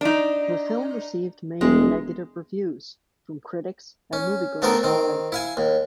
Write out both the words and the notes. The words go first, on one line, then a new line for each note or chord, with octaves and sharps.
The film received mainly negative reviews from critics and moviegoers alike.
D4 D#4
E1 G#3
C#4
A3 B3 C4 A4 A#4
D#3 C4
E4 F5 G#5
D#2